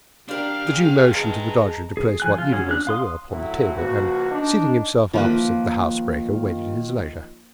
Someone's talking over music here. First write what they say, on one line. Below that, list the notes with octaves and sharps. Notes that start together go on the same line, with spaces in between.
The Jew motioned to the Dodger to place what eatables there were, upon the table; and, seating himself opposite the housebreaker, waited his leisure.
G3 D4 G4 A#4 F5
G#4 B4 G5
G#3 A5 A#5
G#4
F3 G#5 F#6
F4
F#3 C#4 G#4
C#4 D4 F#6
F5 C6 D#6
A2 F#3 A3 C4 E4 F#4
C#2 F3 A#3 F#4
D4 D#4
D#3 F3 A#3 F4 B4